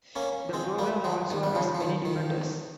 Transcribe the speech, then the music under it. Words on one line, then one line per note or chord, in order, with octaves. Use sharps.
The program also has many defenders.
A#3 C#4
G#3 C4
G3 A#3
F3 G#3
D#3
G3
C#3 F3
F3
D#3
D#3